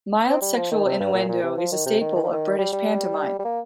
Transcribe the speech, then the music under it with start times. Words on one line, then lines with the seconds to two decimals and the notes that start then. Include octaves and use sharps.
Mild sexual innuendo is a staple of British pantomime.
0.27 C4
0.41 G3
0.56 F3
0.71 D#3
0.85 C3
1.00 G2
1.14 A#2
1.28 A#2
1.43 C3
1.57 F3
1.72 D#3
1.86 C3
2.01 D#3
2.16 D#3
2.23 F3
2.32 D#3
2.58 G3
2.73 G3
3.39 G3
3.45 A#3